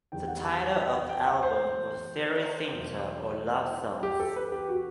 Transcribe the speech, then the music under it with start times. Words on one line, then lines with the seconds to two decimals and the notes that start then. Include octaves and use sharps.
The title of the album was "Seri Cinta" or Love Songs.
0.12 E2 D#3 G3 G5
0.28 F#5
0.45 A5
0.61 A5
0.77 G5
0.93 F#5
1.09 G5
1.27 F#5
1.43 C5
2.73 E2 B2 F#3
4.03 G4
4.20 A4
4.36 B4
4.52 G4
4.69 F#4